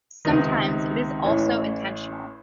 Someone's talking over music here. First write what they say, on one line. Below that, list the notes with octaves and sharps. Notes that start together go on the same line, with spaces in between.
Sometimes it is also intentional.
C#2 C3 D#3 D#4
A1 A2 E3 C#4